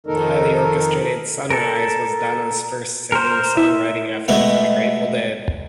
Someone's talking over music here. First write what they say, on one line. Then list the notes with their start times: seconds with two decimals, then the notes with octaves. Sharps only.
The highly orchestrated "Sunrise" was Donna's first singing-songwriting effort for the Grateful Dead.
0.07 F2 D#3 D#4 A4 A#4
1.50 A4 A#4
3.12 A#4 C5
3.57 E4 E5
4.28 B2 G#3 A3 B3